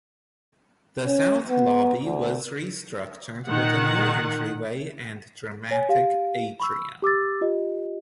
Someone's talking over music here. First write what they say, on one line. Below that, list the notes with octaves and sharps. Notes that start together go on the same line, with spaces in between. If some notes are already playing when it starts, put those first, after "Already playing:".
The south lobby was restructured with a new entryway and dramatic atrium.
C#4
B3
D2
A#2 D#3 F#5
C#5 G#5
G4 F5
B5 C#6 E6
G4 D6 E6 A6
F4 G4 D#5